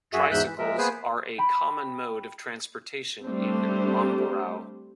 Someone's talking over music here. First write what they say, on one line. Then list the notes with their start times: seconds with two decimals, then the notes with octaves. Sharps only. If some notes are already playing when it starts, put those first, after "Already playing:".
Tricycles are a common mode of transportation in Mamburao.
0.13 F#2 F#4 G#4 E5
0.31 E2 G#2 E5 F#6 G6
0.46 E3
0.58 F3 G#3 A#4 E5
0.78 A#3 B3 G#4 B4 C5
1.38 G5 B5
3.25 G3 A3 C4 D4 C5